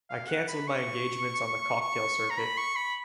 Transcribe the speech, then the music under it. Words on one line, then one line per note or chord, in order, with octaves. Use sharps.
I cancelled my engagements on the cocktail circuit.
F5
F#5
B5
C#6
C#6
A#5
B5
C#6
B5